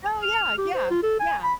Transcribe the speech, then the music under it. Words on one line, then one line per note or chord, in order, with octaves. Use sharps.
Oh, yeah, yeah, yeah.
F6
G4
C5
F4
A4
G#5
B5